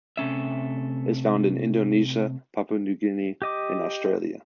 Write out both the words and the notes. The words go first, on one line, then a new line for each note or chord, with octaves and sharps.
It’s found in Indonesia, Papua New Guinea and Australia.
C3 A3 C#4 E5
G4 D#5 D6